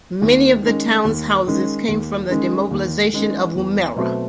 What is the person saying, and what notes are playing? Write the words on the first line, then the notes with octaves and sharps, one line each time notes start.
Many of the town's houses came from the demobilisation of Woomera.
D#2
D#3 G#3 C#4
D#2
D#3 G#3 C#4
D#2
D#3 G#3 C#4
D#2
D#3 G#3 C#4
E2
B2 F#3 A3 C4